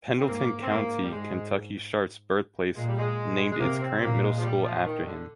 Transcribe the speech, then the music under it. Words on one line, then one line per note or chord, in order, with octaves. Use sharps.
Pendleton County, Kentucky-Sharp's birthplace-named its current middle school after him.
C4
G#2 A#3
C4
G#2 A#3
G3
G#2 G#3
A#2 G#3
G3
G#3
G#3
C3 A#3
C4
A#2 A#3
G#3
F3
G3
F3
D#3
D3